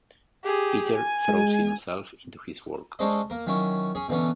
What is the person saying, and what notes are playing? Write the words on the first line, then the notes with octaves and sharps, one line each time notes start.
Peter throws himself into his work.
G4 G#4
G#5
G#3
G#3 C#4 D4 A4 C5 D#5
A#3 A#4
D#3 F#3 C#4 E4
C#4 G#4
B2 D3 E3 B3 C#4